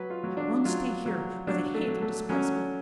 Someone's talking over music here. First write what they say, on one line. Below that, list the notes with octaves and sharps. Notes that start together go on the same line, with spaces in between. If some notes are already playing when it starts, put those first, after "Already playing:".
I won't stay here, where they hate and despise me!
Already playing: F#3 B4
F4
F#3
D4
F#3 F4
F#3
F#3 D4
A3
F#3
A3
F#3 C#4